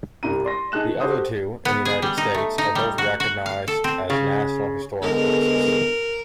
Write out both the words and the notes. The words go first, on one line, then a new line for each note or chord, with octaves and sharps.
The other two, in the United States, are both recognized as national historic places.
C2 G2 E4 A#5 D#7
D5 C6 A#6
D#4 G#4 A5 F#6 E7
D#3
F#4 G4 A4 C5 D#6
B3
G#4
G3
D#4
A3
D#4
G3
F#4
F#4
F5
A4
C4
C#3
D3 G#3 B3 A#4